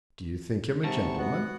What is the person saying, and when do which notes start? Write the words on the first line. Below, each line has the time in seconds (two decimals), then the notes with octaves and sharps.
"Do you think him a gentleman?"
0.84 G#2 C3 A5 C#6
1.18 B3 F#4 F#5